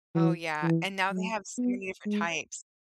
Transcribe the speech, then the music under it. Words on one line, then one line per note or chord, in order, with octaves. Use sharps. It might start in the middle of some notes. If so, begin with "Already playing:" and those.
Oh, yeah, and now they have so many different types.
E3
E3
F#3
B3
G#3